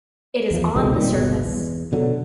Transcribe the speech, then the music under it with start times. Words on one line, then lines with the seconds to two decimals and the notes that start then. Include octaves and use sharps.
It is on the surface.
0.51 E2 F3
0.76 C#2 B2 D3 G#3
0.93 A#2 D#3 G3
1.11 G1 C2 B2 G#3
1.44 E2
1.92 B2 D3 F#3